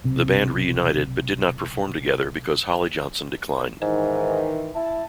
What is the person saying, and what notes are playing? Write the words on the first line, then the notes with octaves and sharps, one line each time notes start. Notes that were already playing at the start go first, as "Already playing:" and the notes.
The band reunited but did not perform together because Holly Johnson declined.
B1 C3
G#2 D#3 E3
E4 A5